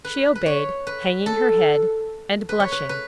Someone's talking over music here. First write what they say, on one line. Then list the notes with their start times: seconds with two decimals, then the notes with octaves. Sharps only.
She obeyed, hanging her head and blushing.
0.05 B4
0.35 B4
0.46 C#5
0.87 B4
1.26 A4
2.49 B4
2.60 C#5
2.72 B4
2.89 B4